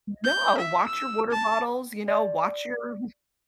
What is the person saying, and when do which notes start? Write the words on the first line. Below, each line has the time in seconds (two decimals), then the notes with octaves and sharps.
No, "Watch your water bottles, you know? Watch your" mm.
0.24 G6
0.57 E5
0.87 E6
1.31 A5
2.08 D5